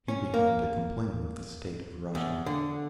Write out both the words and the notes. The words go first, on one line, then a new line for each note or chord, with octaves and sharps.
He began to complain of the state of Russia.
C#4
A#3
E2
D3